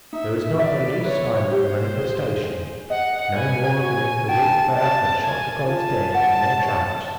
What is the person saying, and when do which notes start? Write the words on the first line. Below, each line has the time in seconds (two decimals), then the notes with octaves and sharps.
There was not the least sign of a "manifestation"--no more than if the wheat-flour had shot the "brothers" dead in their tracks.
0.13 D#4 E5
0.59 D5 E5
1.04 B4 C#5
1.52 G4 C5
1.98 G#4
2.43 G#5
2.90 D#5 F#5
3.36 B4 G#5
3.82 F#4 G#5
4.29 G5 A5
4.75 D5 A5
5.21 A#4 G#5
5.67 F4 A5
6.14 F#5
6.60 C#5